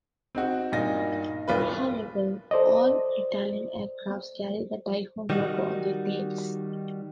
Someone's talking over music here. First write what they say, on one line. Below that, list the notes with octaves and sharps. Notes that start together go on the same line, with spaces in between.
However all Italian aircraft carry the "Typhoon" logo on their tails.
C4 D#4 F#4
G2 A#2 D#4 A#6
G1 C2 F4 B4
A4 C5 D5 D#5
D#3 G3 D#4 F#4